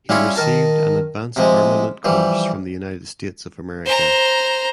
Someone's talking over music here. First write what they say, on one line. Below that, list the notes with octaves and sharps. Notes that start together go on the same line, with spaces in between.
He received an advanced armament course from the United States of America.
G3 C#4 E4 F4 C#5
D#3 A#4 A5
C3 F3 G#3
E3 F3 G3
C5 A#5